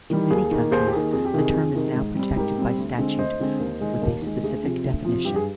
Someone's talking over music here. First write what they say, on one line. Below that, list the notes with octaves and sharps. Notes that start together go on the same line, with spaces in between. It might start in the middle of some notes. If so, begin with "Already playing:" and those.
In many countries the term is now protected by statute, with a specific definition.
D#3 G3
D#2 G#4
D#3 A#3
D#2 G#4 C5
G4
D#3 A#3 G#4
F2 G#4
G4
C3 D#3 G#4
F2
C3 D#3
G#2
G3 C4
G#2 G4 A#4
G3 C4
D2
D3 G#3 C4
D2 C5 D#5
D3 G#3 C4
D#2
D#3 G#3
D#2
D#3 G#3
D2 G#4
C3 F3
D2
C3 F3
G2 G4
G#4